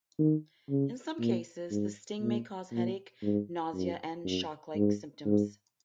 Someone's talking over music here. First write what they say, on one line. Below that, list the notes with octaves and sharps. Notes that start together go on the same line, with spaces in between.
In some cases, the sting may cause headache, nausea, and shock-like symptoms.
D#3
C#3
A#2
G#2
A#2
A#2
G#2
F#2
F#2
G#2
G#2